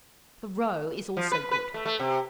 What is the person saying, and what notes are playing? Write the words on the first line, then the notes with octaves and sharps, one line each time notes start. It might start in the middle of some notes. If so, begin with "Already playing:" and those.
The roe is also good.
F3
B4
B4
A3
A3
C3